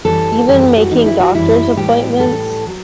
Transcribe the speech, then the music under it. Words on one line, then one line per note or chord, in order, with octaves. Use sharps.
even making doctor's appointments.
F#2 E3 G3 A4
F#2 E3 G3 G4
G4
F#4
F#2 E3 G3 D#4
E4
F#4
F#2 E3 G3 E4
A2 E3 G3 G4
A2 E3 G3 A4
F#3